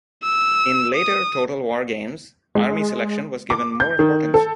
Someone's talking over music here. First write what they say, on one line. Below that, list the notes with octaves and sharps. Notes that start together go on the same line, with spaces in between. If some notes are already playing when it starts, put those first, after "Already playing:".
In later "Total War" games, army selection was given more importance.
E6
D#6
G#3
D6
G6
D#3
A4